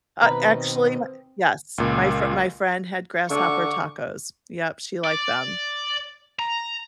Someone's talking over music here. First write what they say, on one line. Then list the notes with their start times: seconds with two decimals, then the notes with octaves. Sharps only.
Uh, actually, my Yes, my fr my friend had grasshopper tacos, yep, she liked them.
0.23 B2 D#3 C4 B4 A#5
1.78 C#2 A#2
3.30 D3 C#6 D6
5.04 D5
6.39 A#5